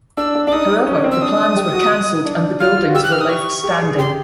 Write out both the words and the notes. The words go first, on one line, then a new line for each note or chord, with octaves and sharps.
However, the plans were cancelled, and the buildings were left standing.
D4 E6
D4
D4 D6
D#4 D#6
C#4
C4
E6
D4 D#6
G4
F#4
D4
F4 F6
F4
F#4
G4 E6
F#6
F6
D#6
C#6
G4
G#4
G#4
G4 C6